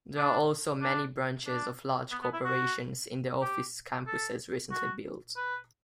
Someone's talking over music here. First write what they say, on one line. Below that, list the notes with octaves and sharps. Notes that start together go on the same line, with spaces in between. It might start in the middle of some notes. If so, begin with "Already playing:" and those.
There are also many branches of large corporations in the office campuses recently built.
D4
D4
D4
B3
B3
E4
F#4
G4
A4
F#4
B4